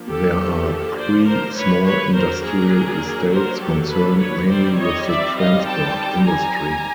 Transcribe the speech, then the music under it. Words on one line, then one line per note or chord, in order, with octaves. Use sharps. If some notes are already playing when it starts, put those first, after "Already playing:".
There are three small industrial estates concerned mainly with the transport industry.
Already playing: F3 A#3 D4
G4 A4
C5 D5
A#4 C5
B4 C#5
B4 C#5
F#3 A#3 D4 A#4 C5
G#4 A#4
A#4 C5
G4 A4
A4 B4
B4 C#5
D#3 G3 C4 C5 D5
C#5 D#5
D5 E5
D#5 F5
G5 A5
G#5 A#5